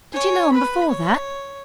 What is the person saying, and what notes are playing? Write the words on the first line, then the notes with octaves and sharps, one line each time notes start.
"Did you know him before that?"
C#5 G#5
B4 B5
C#5